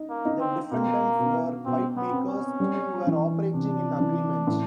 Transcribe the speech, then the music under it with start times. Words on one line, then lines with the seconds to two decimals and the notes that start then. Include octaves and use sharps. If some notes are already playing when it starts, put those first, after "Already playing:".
The defendants were pipemakers who were operating in agreement.
Already playing: D#4
0.10 A#3
0.25 D#4
0.40 C4
0.72 B2 A#3
1.19 B2
1.65 B2 C4
1.97 B3
2.13 C4
2.28 C#4
2.60 G3
3.07 E3
3.54 C3 D4
4.00 E3
4.47 A2